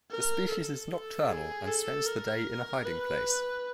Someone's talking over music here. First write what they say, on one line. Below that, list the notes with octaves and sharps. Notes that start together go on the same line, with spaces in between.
The species is nocturnal and spends the day in a hiding place.
A#4
A4
G#4
A4
A#4
B4